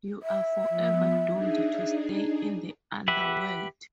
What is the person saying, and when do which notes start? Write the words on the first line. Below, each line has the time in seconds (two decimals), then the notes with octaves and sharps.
You are forever doomed to stay in the underworld.
0.23 E5
0.69 F3 B3
1.30 D4 D#4 G#4
3.08 G4 B4 E5 F#5